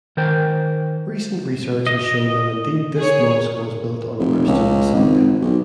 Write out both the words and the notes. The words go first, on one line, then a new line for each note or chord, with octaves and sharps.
Recent research has shown that indeed this mosque was built on a Christian basilica.
D#3 A#4 C5 G5
D#5
G#4 C#5
F1
C#2
G#1
B1